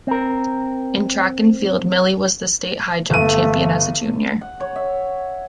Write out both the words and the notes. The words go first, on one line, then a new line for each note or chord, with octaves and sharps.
In track and field, Mili was the state high jump champion as a junior.
C4 A#4
G1 A3 D#7
F#5
C#5
E5